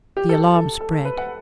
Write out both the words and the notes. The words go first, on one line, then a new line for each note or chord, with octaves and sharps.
The alarm spread.
G4
A4
A4
A4
A4
B4
F#5